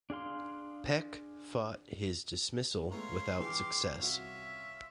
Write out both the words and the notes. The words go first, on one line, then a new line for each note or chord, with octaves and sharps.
Peck fought his dismissal without success.
D4 G#4 F5 C6
G#3 A3 B3 C#4 F4 A#5 C6
E3 G4 G#4 D6 F6
C2 C#4 F4 F#4 E5